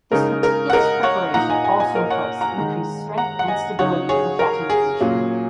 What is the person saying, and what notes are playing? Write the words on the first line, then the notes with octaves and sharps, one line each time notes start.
This meticulous preparation also reflects the increased strength and stability of the Fatimid regime.
C#3 G#3 D#4 A#4
A#4
F#5
A#4 D#5
C#5 F#5
A#2 A#3 D#4 F#5 A#5
D#5 G#5
D#5 G#5
D#5 G#5
A#4 D#5
C#5 F#5
F#5 A#5
D#3 G#3 D#4
F#5 A#5
F#5
D#5 G#5
C#3 F#3 D#4 C#5 F#5
G#4 C#5
A#4
G#4
A#2 F#3 A#3 C#4